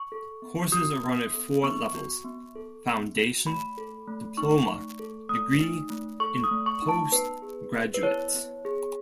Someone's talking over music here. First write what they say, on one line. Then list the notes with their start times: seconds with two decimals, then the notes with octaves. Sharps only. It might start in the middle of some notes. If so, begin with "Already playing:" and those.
Courses are run at four levels: foundation, diploma, degree and postgraduate.
Already playing: C#6
0.12 A4
0.42 B3
0.72 F#4 D#6
1.04 B3
1.34 A4
1.63 B3 C#6
1.94 F#4
2.24 B3
2.55 A4
2.86 B3
3.17 F#4
3.47 A3 B5
3.77 A4
4.08 A3
4.37 D#4 C#6
4.68 A3
5.00 A4
5.29 A3 D#6
5.60 D#4
5.90 A3
6.20 A4 C#6
6.44 D#6
6.51 A3
6.66 C#6
6.82 D#4
6.89 A5
7.12 B3 B4
7.42 G#4
7.72 B3
7.94 B4
8.03 E4 C#5
8.34 B3
8.65 G#4